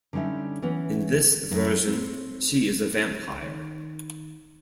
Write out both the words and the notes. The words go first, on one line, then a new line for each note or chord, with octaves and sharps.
In this version she is a vampire.
D3 G3 C#4 D#4 E5
E3 B3 C#4
F#2 C#4 E4 A#4
C4
D#3